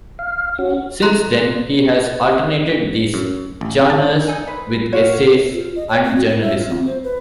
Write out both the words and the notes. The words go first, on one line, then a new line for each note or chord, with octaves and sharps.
Since then, he has alternated these genres with essays and journalism.
F5
C#4 F#4
A4 A#5 C6 F#6
F#2
A1
A5
D#4 A4 G#5
B4 C5
F4 F#4 C#5
F4
D#5
C#5
C4
F#4
E4
E5
F4
C4
C5
B4